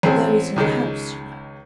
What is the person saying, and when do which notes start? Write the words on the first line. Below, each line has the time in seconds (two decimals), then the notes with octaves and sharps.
"There is no house, you know."
0.03 A1 C4 G#4
0.56 C#2 D#3 G#3